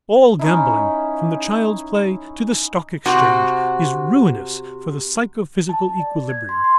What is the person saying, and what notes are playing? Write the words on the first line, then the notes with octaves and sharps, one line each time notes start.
All gambling from the child's play to the stock exchange is ruinous for the psychophysical equilibrium.
C#4 D#4 E4
C3 F#4
A5
D5
G#6
C6
C6